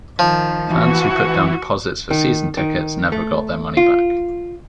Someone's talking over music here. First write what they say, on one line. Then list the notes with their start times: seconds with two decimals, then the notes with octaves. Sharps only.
Fans who put down deposits for season tickets never got their money back.
0.19 D#3 F3
0.70 E3 F#4
2.11 D#3
2.57 D#3
3.12 A3
3.77 F4